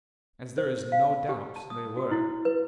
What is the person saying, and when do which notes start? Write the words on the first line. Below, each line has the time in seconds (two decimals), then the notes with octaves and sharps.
As there is no doubt they were.
0.58 C5
0.92 F5
1.29 G4
1.56 A5
1.70 D#6
1.97 F#4
2.11 E4
2.45 B4